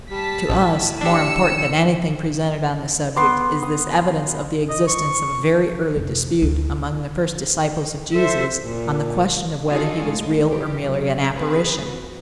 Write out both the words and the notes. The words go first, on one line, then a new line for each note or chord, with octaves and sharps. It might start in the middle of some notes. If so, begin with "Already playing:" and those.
To us, more important than anything presented on this subject, is this evidence of the existence of a very early dispute among the first disciples of Jesus on the question of whether he was real or merely an apparition.
G3 A5 B6
A1 A2
D4 G4 E6 C#7
B3 C6 D6
D#6
D#5
C#6
F1
D2
A4 C5 E5
A#2
D4 D#4 F4 F#4 G#4 A4
A2 G#3
E3 F#3 G4
C3 F#3
C4 G#4 B4
F#4